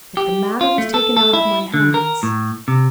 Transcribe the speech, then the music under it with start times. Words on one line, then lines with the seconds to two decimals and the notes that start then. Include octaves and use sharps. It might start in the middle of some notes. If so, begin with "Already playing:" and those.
But the matter was taken out of my hands.
0.17 G4
0.61 F4
0.78 A3
0.94 A4
1.17 A4
1.33 E4
1.74 D3
1.94 A#4
2.23 A2
2.68 C3